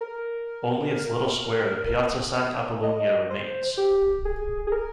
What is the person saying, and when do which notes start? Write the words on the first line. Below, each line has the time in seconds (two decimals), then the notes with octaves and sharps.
Only its little square, the "Piazza Sant'Apollonia" remains.
0.01 A#4
2.83 D#5
3.30 C5
3.77 G4
4.25 G#4
4.67 G#4
4.72 A#4